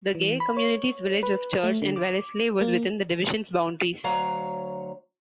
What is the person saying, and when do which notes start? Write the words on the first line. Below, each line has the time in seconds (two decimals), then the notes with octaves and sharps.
The gay community's village of Church and Wellesley was within the Division's boundaries.
0.15 E3
0.40 B5
0.57 C#5
1.23 B4
1.64 A3
1.82 D3
1.96 D6
2.61 A#3
4.04 D2 F#3 C#5 F5 A#5